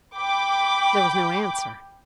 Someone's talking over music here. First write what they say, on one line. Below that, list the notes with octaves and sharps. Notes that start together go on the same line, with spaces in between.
There was no answer.
G5 B5 D6